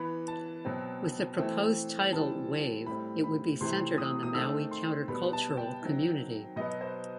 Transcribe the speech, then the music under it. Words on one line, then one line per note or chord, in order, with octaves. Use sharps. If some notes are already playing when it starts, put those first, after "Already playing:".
With the proposed title "Wave", it would be centered on the Maui countercultural community.
Already playing: E3 B3 B5
A5
B2 F#3 C4
E3 A3 C4
E3 G3 C4 A5
A2 G3 C4 B5
B5
C3 E3 A3 C4 C6
D#6
D#6
D#3 A3 C4 E6
C6
B2 G3 B3 B5
A5
G5
D#3 F#3 C4
B2 F#3 B3 D#5
C5